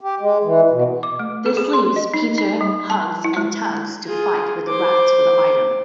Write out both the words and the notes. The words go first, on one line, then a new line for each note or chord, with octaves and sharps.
This leaves Peter, Hugs and Tugs to fight with the rats for the item.
G4
G#3
E3
B2
D6
A3
A4
G#4
C6
D#5
D#4
D#4
G3
A5
E4
G#3
F4 G#4
C5 D6